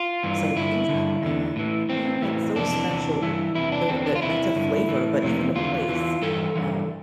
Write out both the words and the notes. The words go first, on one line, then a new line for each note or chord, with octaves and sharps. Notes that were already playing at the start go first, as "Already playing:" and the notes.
So, things like that uh, yeah, it's so special. Though, tha that's a flavor, but even a place. Uh,
Already playing: F4
G2 E3
G2 D3 E4
D3
G2
E2 D3
A2 E3
A2 E3 C4
A2 E3
F2 C3 E3 D4
E2 C3 E3
G2 E3 E4
E2 C3 E3 E4
D4
E2 D3 C4
D4
F4
E2 C3 E3 E4
G2 D3
A2 E3
F2 C3 E3
E2 D3 F4
E2 E3
G2 E3 A4
G2 E3